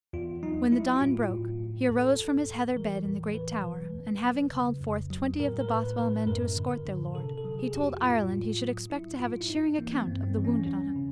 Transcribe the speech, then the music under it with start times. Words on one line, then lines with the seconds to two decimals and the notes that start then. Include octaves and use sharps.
When the dawn broke, he arose from his heather bed in the great tower; and having called forth twenty of the Bothwell men to escort their lord, he told Ireland he should expect to have a cheering account of the wounded on his return.
0.13 E2 F4
0.43 F#3 D#4
0.72 F#3 E4
0.96 F#4
1.01 A2 F4
1.30 A2
1.60 A2
1.89 E2 A4
2.18 E2
2.47 E2
2.76 E3 A#4
3.05 A2 A#4
3.34 E3 B4
3.64 B2
3.94 E2
4.23 F#3
4.52 C#3
4.81 F2
5.10 F#3
5.40 A2 A#4
5.61 A#4
5.69 A2 B4
5.98 A2 B4
6.27 F#2 A#4
6.56 D3
6.86 D3
7.15 C3 A4
7.38 A4
7.44 F#3
7.59 G#4
7.74 F2 G4
7.81 F#4
8.02 A2 F4
8.32 A2
8.61 F#3
8.90 F#3 E4
9.19 G#2 F4
9.41 E4
9.49 G#2 D#4
9.78 E3 A#3
9.91 B3
10.01 C4
10.08 G2
10.23 C4
10.38 E3
10.45 C#4
10.66 E2 C#4
10.96 C#3